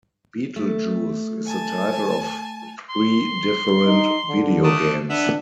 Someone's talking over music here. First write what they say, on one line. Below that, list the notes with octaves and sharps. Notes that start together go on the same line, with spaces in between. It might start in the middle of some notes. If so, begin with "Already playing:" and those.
Beetlejuice is the title of three different video games.
A3
G#5 A5
C6
D#4
D3
A3 D4 D#6
B3 D4 E5 F#5